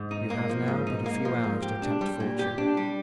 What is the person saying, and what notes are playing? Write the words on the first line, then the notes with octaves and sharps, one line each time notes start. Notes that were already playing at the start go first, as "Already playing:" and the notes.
You have now but a few hours to tempt fortune.
Already playing: G#2
D#4
A#3
F3
G#2
D#4
A#3
F3
G#2
G4
D4
G3
A#2
G4
D4
G3